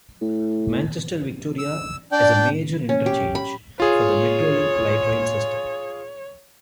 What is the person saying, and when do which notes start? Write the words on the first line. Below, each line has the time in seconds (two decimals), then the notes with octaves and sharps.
Manchester Victoria is a major interchange for the Metrolink light rail system.
0.22 A2
1.59 E6
2.12 D4 D5 G5
2.89 C#4
3.06 G4
3.35 B5
3.80 F4 G#4 C#5